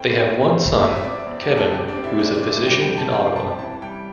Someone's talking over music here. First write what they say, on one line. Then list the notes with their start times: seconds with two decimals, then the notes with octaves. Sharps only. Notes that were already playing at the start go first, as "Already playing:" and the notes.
They have one son, Kevin, who is a physician in Ottawa.
Already playing: A2 C4 G5
0.10 A2
0.34 A3
0.57 C4
0.80 E2 E5
0.96 E5
1.03 C4 D5
1.27 E2
1.43 G4
1.51 E2
1.57 A4
1.73 C3 G4
1.88 D4
1.96 C4
2.04 E4
2.19 A3 D4
2.35 D4
2.43 C4
2.51 E4
2.66 G3 G4
2.82 G5
2.90 C3
2.97 A5
3.13 C4 G5
3.35 C3 A5
3.59 E3 A5
3.82 G3 G5